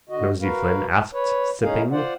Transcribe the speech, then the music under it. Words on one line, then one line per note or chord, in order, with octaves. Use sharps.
Nosey Flynn asked, sipping.
D3 F#4 D#5
F#4 A#4 B4 F5
A5
B4 C#5
F#2 A2 C#4 D#4 G#4 F5
F4 C5 D5 F#5